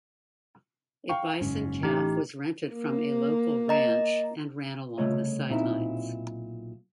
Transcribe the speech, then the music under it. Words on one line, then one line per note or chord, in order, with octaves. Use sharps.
A bison calf was rented from a local ranch and ran along the sidelines.
F5 G5 C#6
F#1 G#2 C#4
A1 E3 A3 D#4 G4
A#3
D#5 A#5
C2 G#2 C#3 A3 C#5 D#5
B1 A#2 C4 D#4 E4 A#5